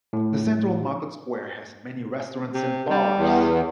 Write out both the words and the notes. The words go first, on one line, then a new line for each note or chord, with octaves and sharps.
The central market square has many restaurants and bars.
A2
C3
G3
E2